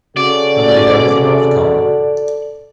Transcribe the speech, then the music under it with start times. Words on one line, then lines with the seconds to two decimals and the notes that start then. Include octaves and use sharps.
I believe everything out of the common.
0.17 C#3 F#4 A4 D5